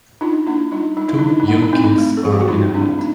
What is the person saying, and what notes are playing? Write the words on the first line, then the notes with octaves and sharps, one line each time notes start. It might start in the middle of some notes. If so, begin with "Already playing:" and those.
Two young kids are in a hut.
D4 D#4 F4
A#3 D4 E4
G3 D#4 F4
G3 D#4
E4
D4 D#4
E4
D#4
A#3 E4
D#4
C4 E4
D#4
A3
A4
F3 G#4
G4
F#4
F3 D#4 F4
C4 D4 E4
A3 D#4